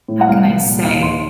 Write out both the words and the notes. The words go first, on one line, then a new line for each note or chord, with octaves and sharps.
how can I say?-
A2
F#5
C2 F5
C2
A#2
D#2 F5
D#2 C6